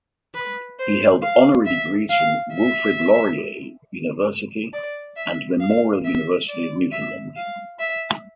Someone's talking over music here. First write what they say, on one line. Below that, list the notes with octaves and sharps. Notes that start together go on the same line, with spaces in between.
He held honorary degrees from Wilfrid Laurier University and Memorial University of Newfoundland.
B4
C5
F5
E5
F5
E5
D5
E5
F5
E5
D5
E5
F5
E5